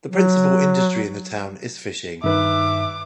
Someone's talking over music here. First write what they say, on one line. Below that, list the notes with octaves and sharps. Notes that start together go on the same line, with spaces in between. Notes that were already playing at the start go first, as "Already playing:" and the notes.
The principal industry in the town is fishing.
F#3
G2 D#3 B4 E5 D6 F#6